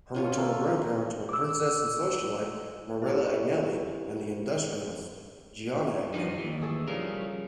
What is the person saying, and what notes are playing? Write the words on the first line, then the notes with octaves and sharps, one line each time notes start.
Her maternal grandparents were princess and socialite Marella Agnelli and the industrialist Gianni Agnelli.
C#4 F4 C#5
A#3 A4 A#4
D6 E6
E4 G4
G2 F3 D#4 D5
D#2 E3
A3 G#4 A4
C#3 F3 G3 A#4